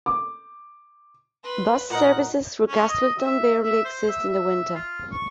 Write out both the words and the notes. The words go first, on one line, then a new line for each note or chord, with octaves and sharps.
Bus services through Castleton barely exist in the winter.
D6
B4 C6
A#2 D#4 A#4 F#5
C#4
D#5
E5
E5
C5
E5
E5
F4
C#6